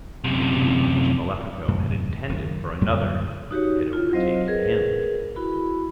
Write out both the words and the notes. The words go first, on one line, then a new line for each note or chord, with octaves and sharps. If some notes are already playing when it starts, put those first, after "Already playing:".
The doom which Malefico had intended for another had overtaken him.
F#2 C3
F#2 A2 C3 E3
F#1 D#3
F#2 A#2 D3 G3
D#4 F#4 G4 C#5
E4 F4
F#3 C4 C5 D#5 F5
G#4 A#4 B4
E4 F#4 B5